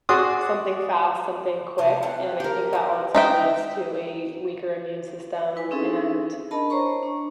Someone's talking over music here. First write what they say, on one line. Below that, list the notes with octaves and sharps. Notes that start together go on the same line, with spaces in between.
Something fast, something quick, and I think that also leads to a weaker immune system, and
F#4 G#4 D5 C6 D6 D#6
C3 C5 A5
C4 F4 F#5
G4 A#4
B2 E3
D#4 E5 G5
E4 B4 G#5
C4 C#4 D#4 E4 G#4 A4
D4 A#4 D#5 A5 B5
C5 C#5 A#5 C#6
D4